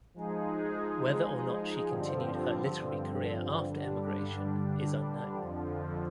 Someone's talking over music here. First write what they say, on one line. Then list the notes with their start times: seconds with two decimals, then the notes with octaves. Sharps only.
Whether or not she continued her literary career after emigration is unknown.
0.14 F3 G#3 D#4 G#4
1.88 G2 D3 F3 C4
3.62 G2 D3 G3 D4
5.37 F2 D3 F3